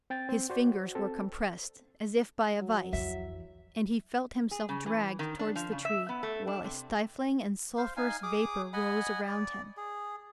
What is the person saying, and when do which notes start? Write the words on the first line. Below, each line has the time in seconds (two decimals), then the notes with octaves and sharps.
His fingers were compressed as if by a vice, and he felt himself dragged towards the tree, while a stifling and sulphurous vapour rose around him.
0.10 C4 G5 A6
0.29 C4
0.50 F#4 C5 D5
0.95 C4 A4
2.60 F#3
2.93 F2 E3 E5
4.51 G#4
4.69 C#3
4.86 E3
5.19 D#3
5.39 D4
5.55 F3
5.72 C#3
5.85 E5
6.09 B3
6.23 A3
6.47 D4
6.64 C3
7.77 C5 F5
7.97 D#4 F5 G#5
8.23 G#4 D6 D#6
8.73 D#5 F#5 G#5 B5
9.27 D5
9.77 G#4